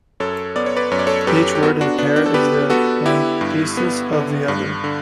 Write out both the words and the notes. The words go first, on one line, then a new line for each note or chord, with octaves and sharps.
Each word in the pair is the antithesis of the other.
F#2 A4 C#5
B3 D5
C#5
B4 D5
F#2 C#5
D5
A4 C#5
F#2 G4 B4
G4
B3 F#4 A4
D4 F#4
B3 D4
D4
A4
B3 G4 B4
B3 F#4 A4
D3 E4 G4
G2
B3
D3
G2
D3